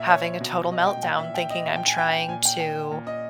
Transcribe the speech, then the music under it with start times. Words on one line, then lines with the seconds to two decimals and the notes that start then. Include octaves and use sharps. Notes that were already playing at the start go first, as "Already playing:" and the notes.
Having a total meltdown thinking I'm trying to
Already playing: A#2 E5
0.09 C#5
0.41 B2
0.72 D#5
0.87 G5
1.03 A#2 G5
1.19 E5
1.35 G5
1.50 D#5
1.66 A#2 E5
1.76 G5
1.87 G#5
1.98 G5
2.28 A#2 G#5
2.45 G5
2.60 G5
2.91 A#2
3.07 D#5